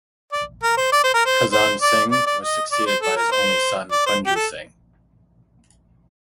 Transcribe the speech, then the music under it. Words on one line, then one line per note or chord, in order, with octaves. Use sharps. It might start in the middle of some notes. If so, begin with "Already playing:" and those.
Khazan Singh was succeeded by his only son Panju Singh.
D5
A#4
C5
D5
C5
A#4
C5
C5
D5
D5
D5
D#5
D5
C5
A4
A#4
C5
D5
C5
G4
A4